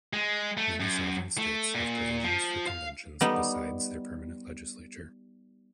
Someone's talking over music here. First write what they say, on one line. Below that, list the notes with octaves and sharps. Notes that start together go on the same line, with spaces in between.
Many sovereign states have provisions for conventions besides their permanent legislature.
G#3
A3
F#2
A3
A#2
F3
F5
G3 B3 D#4